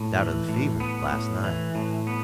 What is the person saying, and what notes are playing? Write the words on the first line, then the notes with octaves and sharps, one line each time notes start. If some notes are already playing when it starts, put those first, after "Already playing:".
Died of the fever, last night.
Already playing: A2
E3
A2
B3
A2
E3
A2
B3